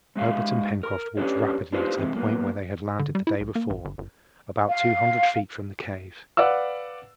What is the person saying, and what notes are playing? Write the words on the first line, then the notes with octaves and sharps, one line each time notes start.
Herbert and Pencroft walked rapidly to the point where they had landed the day before, about two hundred feet from the cave.
G#2 G#3 E5 F5
A#4
C#4 D4 G4 B4 C#5
D4 D#4 F4 G4 B4 C5
C3 E3 G#3 E4
F#2 A#3 B3
D3
G3
E4
B1
A#3
A1
G1
G1
F5
B4 D5 F5 F#5 E6